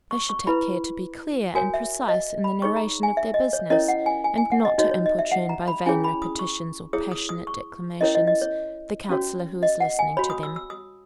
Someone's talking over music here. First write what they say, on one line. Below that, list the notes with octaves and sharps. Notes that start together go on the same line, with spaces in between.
They should take care to be clear and precise in the narration of their business, and not to importune by vain repetitions or passionate declamations, the counsellor who is listening to them.
C#6
C#6
E4 B4 B5
F#4 A#4 C#5 G#5
E5
D#5
B5
D#4 G#4 C#5 C#6
A#5
G#5
E5
D#5
C#5
C#4 E4 A#4 C#5 D#5
F#5
G#5
G#5
G#5
F#5
D#5
D#4 F#4 C#5 D#5
C#5
D#5
E5
F#5
A#5
B5
C#4 E4 G#4 C#5 G#5
B5
D#6
C#6
E4 G#4 C#5 D#6
D#6
D#6
C#6
C#4 E4 A#4 C#5 D#5
D#5
D#5
C#5
C#4 F#4 C#5
D#5
F#5
G#5
F#4 C#5 B5
D#6
E6
E6
D#6